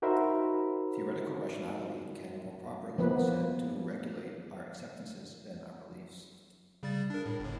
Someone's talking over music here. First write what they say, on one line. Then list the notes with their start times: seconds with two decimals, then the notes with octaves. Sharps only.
Theoretical rationality can more properly be said to regulate our acceptances than our beliefs.
0.02 D#4 F#4 A#4 C5 E5 B5
2.98 F3 A#3 B3 B4
6.83 C#3 G3 A6
7.10 D4 A#4
7.26 A2
7.40 G1 A2